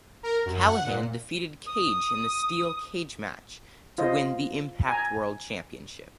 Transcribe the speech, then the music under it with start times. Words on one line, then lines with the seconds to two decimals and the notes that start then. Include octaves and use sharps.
Callihan defeated Cage in the steel cage match to win the Impact World Championship.
0.23 A#4
0.45 F#2
0.67 F#5
0.86 A#2
1.66 D#6
3.98 F4 C5 D#5
4.89 G#5 A#5